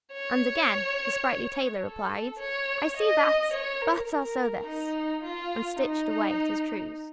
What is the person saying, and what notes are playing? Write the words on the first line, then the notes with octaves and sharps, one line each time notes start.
And again the sprightly tailor replied: "I see that, but I'll sew this!" and stitched away at his trews.
C#5
A4
C#5
D#5
C#5
A#4
A#4
D#4
F4
D#4